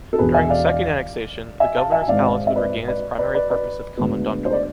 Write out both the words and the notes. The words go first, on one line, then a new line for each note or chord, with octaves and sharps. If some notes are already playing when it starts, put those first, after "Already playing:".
During the second annexation, the governor’s palace would regain it’s primary purpose of Kommandantur.
A4
E1 E2 B2 B3 G#4 B4
E5 G#5
D5 F5
D5 F5
E5 G#5
F5 A5
E5 G#5
G#5
G#1 G#2 G#3 C4 D5 F5
E5
B4 D5
B4 D5
B4 D5
B4 D5
B4 D5
D2 D3 G#3 B3
C5
D5